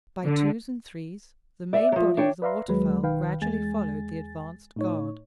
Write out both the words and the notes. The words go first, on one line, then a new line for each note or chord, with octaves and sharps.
By twos and threes, the main body of the waterfowl gradually followed the advanced guard.
D3
D5 E5
F3 F#3
D4 C#5 G5
B4 D5 E5 F5 A#5 C6
D#2 F#3 G#3 B4
B1 D#3 B4 F5 G5
E2 G#3 G#5 A6
A2 D#4 C#5